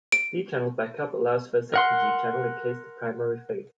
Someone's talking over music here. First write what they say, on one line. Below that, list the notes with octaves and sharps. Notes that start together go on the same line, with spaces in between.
D-channel backup allows for a second D channel in case the primary fails.
D7
A#4 F#5 C6